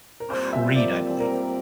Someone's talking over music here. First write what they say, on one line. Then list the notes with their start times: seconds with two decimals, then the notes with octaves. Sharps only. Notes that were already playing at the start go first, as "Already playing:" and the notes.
Creed, I believe.
0.20 A#4
0.30 A#2 G3 C4 C5
0.53 E5
0.76 D5
1.20 A#4